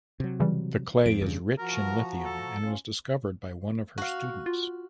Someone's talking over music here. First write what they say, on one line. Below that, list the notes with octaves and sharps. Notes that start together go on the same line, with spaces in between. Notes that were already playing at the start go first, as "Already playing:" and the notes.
The clay is rich in lithium and was discovered by one of her students.
C3 F#3
C#3 E3 G3
F2 D7
E2 G2 C#3
F3 F#4 A#4 A#5
A4
C#4 F4
F#4 F5
F4